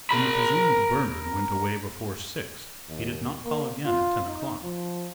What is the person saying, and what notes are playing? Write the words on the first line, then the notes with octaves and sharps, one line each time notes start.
When the presumed Bernard went away before six, he did not call again at ten o'clock.
A#4 B5
D#2
A#3
F4
D#4
F3